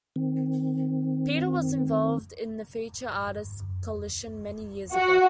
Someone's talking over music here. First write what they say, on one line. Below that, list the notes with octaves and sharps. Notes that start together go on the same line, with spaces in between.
Peter was involved in the Featured Artists Coalition many years ago.
D#3 C4
F#4